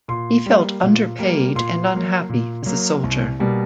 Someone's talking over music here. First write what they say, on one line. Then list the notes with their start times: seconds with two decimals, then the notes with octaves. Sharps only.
He felt underpaid and unhappy as a soldier.
0.08 A#2 C6
0.46 G3 A#3
0.83 A#2
1.19 G3 A#3
1.55 A#2 C6
1.93 F#3 A#3
2.29 A#2
2.66 F#3 A#3
3.04 C2
3.39 B2 G3 A#3